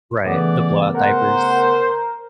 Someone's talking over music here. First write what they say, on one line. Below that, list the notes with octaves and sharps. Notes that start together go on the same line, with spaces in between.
Right, the blowout diapers.
C#3 E3 A3 B3 D5
A#4 C5 F#5